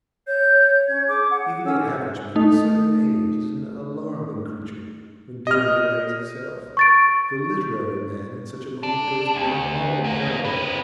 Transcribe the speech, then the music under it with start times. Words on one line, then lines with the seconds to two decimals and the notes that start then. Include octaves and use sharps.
Even the average man of a certain age is an alarming creature when dinner delays itself; the literary man in such a moment goes beyond all parallel.
0.25 C#5 G6
0.86 C#4 G#6
1.06 G#4 D6
1.31 F#5
1.64 C#4 A4 E6
2.35 A3 D#4
5.47 D#5 F6
6.77 C#6 A6 D7
8.83 D4
9.35 D2
10.04 E2 A#3
10.44 C4 B4